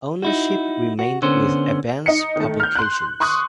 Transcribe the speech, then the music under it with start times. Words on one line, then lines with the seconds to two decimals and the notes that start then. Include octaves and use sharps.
Ownership remained with Advance Publications.
0.22 D#4 E4 F#4
0.99 F#4
1.22 D3 B3 C#4 C5
2.06 D#4 C#7
2.36 D#3 A3
2.60 F6 G6
2.75 C6 F#6
3.20 C6 C#6 D#6 F#6